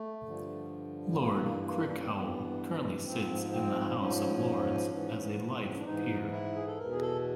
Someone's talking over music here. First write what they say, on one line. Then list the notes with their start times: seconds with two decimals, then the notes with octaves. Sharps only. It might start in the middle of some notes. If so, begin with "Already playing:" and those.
Lord Crickhowell currently sits in the House of Lords as a life peer.
Already playing: A3
0.25 G2 D3 F3
1.18 G2 E3 A#3
1.31 B3
1.42 A#3
1.66 A#3
1.78 D#4
1.86 D4
1.95 C#4
2.04 C4
2.12 G2 E3 B3
3.05 G#2 F3 C4
3.52 C4
3.98 G#2 F3 C#4
4.91 G#2 E3
5.64 C4
5.71 C#4
5.78 D4
5.85 G#2 E3 D#4
6.32 E4
6.56 G#4
6.67 A4
6.78 E2 B2 A#4
6.91 G#4
7.01 A4